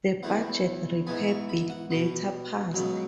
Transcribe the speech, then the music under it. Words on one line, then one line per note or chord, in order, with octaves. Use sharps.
The Budget Repair bill later passed.
E2 E3 B3 F#5
G#2 E3 B3 G#5
B5
C#6
B5
F#5
B2 B3
C#2 B2 F#3